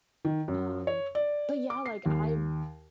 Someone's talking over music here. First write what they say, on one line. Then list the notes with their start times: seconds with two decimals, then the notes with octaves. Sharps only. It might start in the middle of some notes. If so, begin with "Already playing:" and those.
um, but yeah, like I've
0.25 D#3
0.48 F#2
0.87 C#5
1.15 D5
1.70 D6
1.86 C7
2.06 D#2